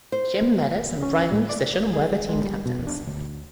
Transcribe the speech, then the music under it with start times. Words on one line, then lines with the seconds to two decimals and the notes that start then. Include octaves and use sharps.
Jim Medes and Brian Musician were the team captains.
0.12 C5
1.03 C#4
1.32 A2
1.49 D5
1.93 G#4
2.29 G#3
2.45 G3
2.66 B2
2.87 D4
3.07 D2